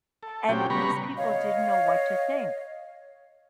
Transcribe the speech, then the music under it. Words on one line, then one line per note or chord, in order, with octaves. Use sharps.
and these people didn't know what to think.
A4
A#2 F#3 C4 C#4 G4 G5
C#3 G3 B3 A#5 B5 C#6
C#5 D#5 F5